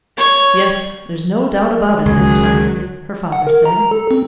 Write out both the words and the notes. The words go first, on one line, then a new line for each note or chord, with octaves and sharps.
"Yes, there's no doubt about it this time," her father said.
C#5
C#2 D#3 F#3 G#4
F#5
A#4
A#5
A4
C4